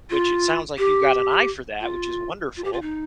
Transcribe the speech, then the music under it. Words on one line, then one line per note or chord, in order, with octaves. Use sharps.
which it sounds like you've got an eye for that, which is wonderful.
F4
G4
F4
F4
G4
F4
D#4